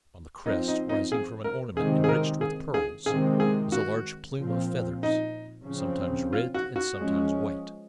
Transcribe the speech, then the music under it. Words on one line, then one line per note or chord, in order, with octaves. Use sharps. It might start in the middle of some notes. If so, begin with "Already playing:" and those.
On the crest, rising from an ornament enriched with pearls, was a large plume of feathers, sometimes red and sometimes white.
F3 C4 D#4
D#4
D#4
G#4
A#4
C3 D#3 G#3 C4 G#4
G#4
A#4
G#4
G#4
C3 D#3 G#3 C4 G#4
G#4
F#4
A#2 F3 C4
D#4
C#3 F3 C4
F4
F#4
F#4
F3 G#3 C#4